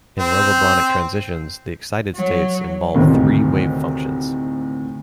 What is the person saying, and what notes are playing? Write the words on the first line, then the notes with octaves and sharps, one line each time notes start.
In rovibronic transitions, the excited states involve three wave functions.
C4
F#3
D2 A2 C3 D#3